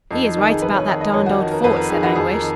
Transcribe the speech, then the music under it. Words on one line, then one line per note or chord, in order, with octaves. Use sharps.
"He is right about that darned old fort," said Anguish.
F2 D#4
D#4
D#3 D#4
G#4
F2 B4
C#5
D#3 D#5
D#5
F2 C#5
F#4
D#3
A#4
F2 B4
A#4
D#3 G#4
F#4
F2 G#4
A#4
D#3